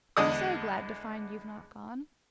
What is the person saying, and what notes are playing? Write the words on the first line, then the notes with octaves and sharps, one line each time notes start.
"I'm so glad to find you've not gone."
E2 D3 G#3 D5 D#6